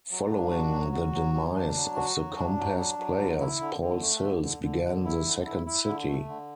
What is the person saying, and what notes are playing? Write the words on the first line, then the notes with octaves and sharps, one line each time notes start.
Following the demise of the Compass Players, Paul Sills began The Second City.
F#3
D4
F#4
F#3
F#4
F#3
F#3
D4
F#3
F#4
F#3
D4
F#3
D4
F#3
D3
E4
D3
D3
A3
D3
D3
D3
D3
E4
D3
E4
E4
D3
A3
D3